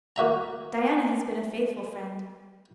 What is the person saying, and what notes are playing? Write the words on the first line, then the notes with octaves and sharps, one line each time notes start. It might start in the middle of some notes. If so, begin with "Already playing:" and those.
Diana has been a faithful friend.
A#3 F#4 E5 A#5